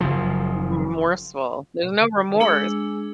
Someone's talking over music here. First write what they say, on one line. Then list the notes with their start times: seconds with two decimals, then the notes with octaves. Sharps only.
Remorseful, there's no remorse.
0.01 F#1 C#3 F3
2.40 G#3 D4 G#4 E6